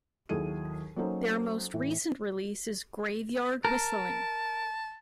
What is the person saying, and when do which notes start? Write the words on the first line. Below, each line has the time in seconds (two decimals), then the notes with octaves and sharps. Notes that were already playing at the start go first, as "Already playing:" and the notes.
Their most recent release is "Graveyard Whistling".
0.29 D#2 F#3 E4 G#4 A4 D#7
0.96 F#3 A#3 C#4 D#4 A4 C5
1.74 A2 E3
3.65 A#4 A5